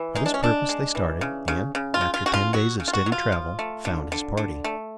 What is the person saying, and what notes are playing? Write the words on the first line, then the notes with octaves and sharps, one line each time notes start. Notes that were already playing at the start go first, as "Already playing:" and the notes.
For this purpose they started, and, after ten days of steady travel, found his party.
Already playing: E3
G#3 D#4
D4
C#4
G#3 D4
G#3
E3
C#3
C#3
C#3
F4
C#3
F4
C#3 F#4
F4
F#3 F#4
C#3
F4
F#4
F#3
F4
F3
A3
D3
D3
D3
A3